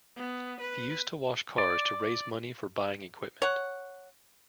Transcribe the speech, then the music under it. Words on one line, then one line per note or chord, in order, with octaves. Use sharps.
He used to wash cars to raise money for buying equipment.
B3
B4
D5
C#5 F#5